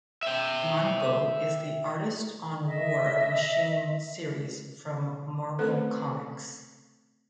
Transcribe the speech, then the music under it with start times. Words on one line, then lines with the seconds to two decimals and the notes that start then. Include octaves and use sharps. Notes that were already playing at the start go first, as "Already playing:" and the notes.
Manco is the artist on War Machine series from Marvel Comics.
0.23 E5 G5
2.65 D#5 E5
5.59 A3 C4 C#4 A4 B4 C5